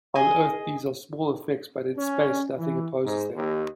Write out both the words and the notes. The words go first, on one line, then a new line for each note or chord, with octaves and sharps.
On Earth, these are small effects, but in space, nothing opposes them.
G#4 D#5 G#5
C#4
E3
G#2
D#2